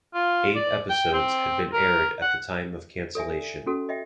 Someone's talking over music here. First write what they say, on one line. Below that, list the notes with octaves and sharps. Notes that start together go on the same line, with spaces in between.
Eight episodes had been aired at the time of cancellation.
F4
D5
G5
C4
A#4
F#5
A4 D5 E5 G#5
C#4 F#4 A4
D#5 E5 G5